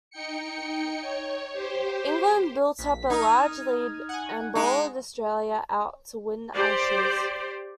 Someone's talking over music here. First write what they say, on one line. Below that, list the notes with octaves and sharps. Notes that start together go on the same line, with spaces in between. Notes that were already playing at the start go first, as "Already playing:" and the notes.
England built up a large lead and bowled Australia out to win the Ashes.
D#4 G5 C#7
C#5
G4 C5
A#1 B6
D#4 D#6 F6 G#6
F#5 G#5
G#3 D#4
G4 C5 D5